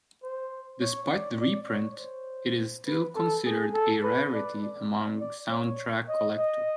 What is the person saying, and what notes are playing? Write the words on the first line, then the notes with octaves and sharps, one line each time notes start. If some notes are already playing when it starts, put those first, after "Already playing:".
Despite the reprint, it is still considered a rarity among soundtrack collectors.
C5
C#5
D5
D5
C#5
C5
B4
A4
G#4
A4
B4
D5
D5
D5
C#5
D#5
D#5